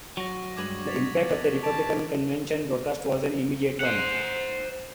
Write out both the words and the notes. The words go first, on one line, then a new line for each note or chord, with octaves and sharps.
The impact of the Republican Convention broadcast was an immediate one.
F#3 C#6 A#6
G2 G#3 B4 D6 G#6 F#7
A6 B6 F7
B3 D4
A5 B6 D7 F7
C5 F#5